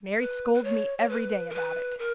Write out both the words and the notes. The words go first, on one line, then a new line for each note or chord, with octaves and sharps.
Mary scolds me every day about it.
B4
B4
C#5
C#5
B4
A#4
B4
A#4